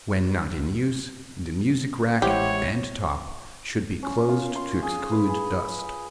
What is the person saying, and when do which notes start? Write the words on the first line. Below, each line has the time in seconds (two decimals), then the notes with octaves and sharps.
When not in use the music rack and top should be closed to exclude dust.
2.22 A1 G#3 E4 G4 C5 C#5 F#5
4.03 C#4
4.29 F4
4.56 C6
4.82 G#4
5.11 B4
5.29 G#4